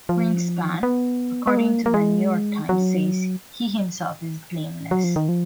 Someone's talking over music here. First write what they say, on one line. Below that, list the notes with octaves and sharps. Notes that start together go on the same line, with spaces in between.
Greenspan, according to the "New York Times", says he himself is blameless.
F3
B3
B3
A#3
A#3
G#3
F#3
F#3
F3
D#3
F3